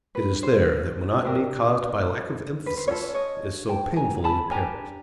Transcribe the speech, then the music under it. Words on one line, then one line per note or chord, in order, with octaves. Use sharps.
It is there that monotony caused by lack of emphasis is so painfully apparent.
B4
B4
C5
D4 G4 A#4
B4
C5
C#4 F4 A4 B4 C#5
C#5 D#5
G5 A5
G#5 A#5
A5 B5
D4 G4 A#4 G#5 A#5